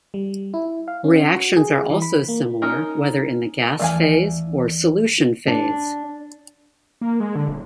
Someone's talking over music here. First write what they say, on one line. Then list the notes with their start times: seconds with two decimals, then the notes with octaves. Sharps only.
Reactions are also similar whether in the gas phase or solution phase.
0.14 G3
0.54 E4
0.88 F5
1.04 C#4
1.36 F#4
1.57 G#4
1.90 E3
2.02 B5
2.28 A#3
2.62 C#4 D#4 A#4
3.80 D#2 E3 A3 D5 F5 G#5
5.47 D4
7.01 A#3
7.20 G#3
7.35 D3
7.48 D#1